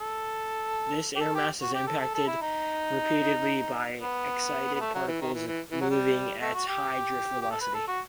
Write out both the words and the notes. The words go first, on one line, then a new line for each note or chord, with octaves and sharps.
This air mass is impacted repeatedly by excited particles moving at high drift velocity.
A4
G4
A4
G4
F#4
G4
A4
A4
A4
E4
D#4
B3
B3
A3
F#3
E3
D#3
E3
E3
E3
F#3
G3
A3
F#4
G4
G4
A4
B4
A4
F#4